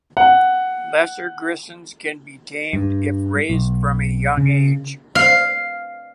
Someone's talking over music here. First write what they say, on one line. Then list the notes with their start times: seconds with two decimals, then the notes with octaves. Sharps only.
Lesser grisons can be tamed if raised from a young age.
0.17 F#5
2.73 G2
3.50 B1
4.37 C#3
5.15 F5